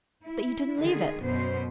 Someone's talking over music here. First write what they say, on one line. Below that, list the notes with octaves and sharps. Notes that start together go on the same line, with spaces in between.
"But you didn't leave it."
E4
D3 D#3 G#4
F#2 B2 C5